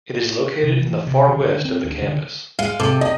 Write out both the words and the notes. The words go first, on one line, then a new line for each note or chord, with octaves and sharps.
It is located in the far west of the campus.
C3
E3
C3
D3
D3
C4
D2
D3
G#3 F5
C3 A4 D6
C3 D#5